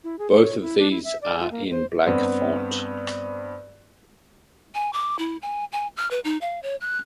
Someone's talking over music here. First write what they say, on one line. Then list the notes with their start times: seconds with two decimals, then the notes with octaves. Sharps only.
Both of these are in black font.
0.04 E4
0.19 G#4
0.31 A3
0.44 C#5
0.61 E4
0.78 D4
0.91 E4
1.05 E5
1.22 D5
1.40 F4
1.51 A#3
1.71 C5
2.07 G2 B3 C4
4.75 G#5
4.93 D6
5.19 E4
5.42 G#5
5.72 G#5
5.97 F6
6.11 B4
6.24 D#4
6.41 F5
6.63 C#5
6.81 F#6